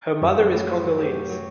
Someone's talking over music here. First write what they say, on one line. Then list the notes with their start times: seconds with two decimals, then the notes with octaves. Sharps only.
Her mother is Congolese.
0.22 F#2 G4
0.37 C#4
0.53 A2
0.68 A2
0.83 F#3
0.98 G4
1.14 C#4
1.29 F#3